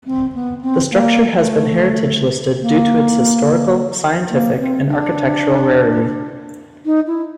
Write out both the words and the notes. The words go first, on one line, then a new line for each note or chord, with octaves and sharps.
The structure has been heritage listed due to its historical, scientific and architectural rarity.
C4
B3
C4
A#3
A3
A#3
A#3
C4
D4
D#4
E4